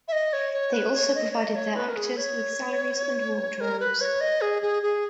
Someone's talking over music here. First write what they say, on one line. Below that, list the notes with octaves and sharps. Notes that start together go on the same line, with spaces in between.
They also provided their actors with salaries and wardrobes.
E5
D#5
C#5
C#5
B4
C#5
D#5
C#5
D#5
C#5
B4
A#4
G#4
C#5
A#4
B4
C#5
D#5
G#4
G#4
G#4